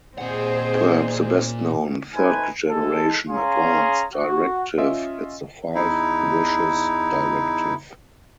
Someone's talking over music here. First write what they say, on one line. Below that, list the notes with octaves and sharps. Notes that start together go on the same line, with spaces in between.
Perhaps the best known third-generation advance directive is the Five Wishes directive.
A#2 C4 G#4 C5 F#5
A3 D#4 B4 C5 G#5
G#3 G#4 A4
C#4 G#4 F5 A#5 C6
F#4
C#4 F4 D#5 E5
E2 D#4 E4